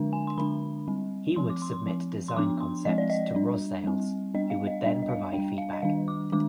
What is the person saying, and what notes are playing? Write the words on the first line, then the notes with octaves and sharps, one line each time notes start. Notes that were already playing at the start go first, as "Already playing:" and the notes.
He would submit design concepts to Rosales, who would then provide feedback.
Already playing: D3 G#3 D4
G#5
C6
D3 G#3 D4 B5
G3 C4
F3 C4 C6
D6
C6
C6
F3 C4
C6
F3 B3 D4 D6
C6
F3 G#3 C4 D#5
D5
D#5
G3 D4
G3 C4
G3 B3 D4 D#5
F5
D#5
G3 B3 D4 D#5
D#5
F5
D4 G5
G3
F5
D#5
D#3 G3 D4 F5
D6
D#3 G#3 D4 D6